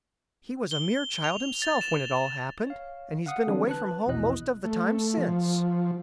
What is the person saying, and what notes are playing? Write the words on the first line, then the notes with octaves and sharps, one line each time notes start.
He was a mere child himself when it all happened, and he's been away from home most of the time since.
G7
F7
A6
E7
C#5 F5
F5 F#5 D#6
D3 E3 F#3 G3 C4 D4
B4 A5 F#6
A#1 E2 B2 E4 D#5 F#6
A3
F3